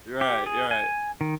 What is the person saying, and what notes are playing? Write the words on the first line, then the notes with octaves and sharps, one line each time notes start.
You're right, you're right.
G4
G#4
G#5
D#3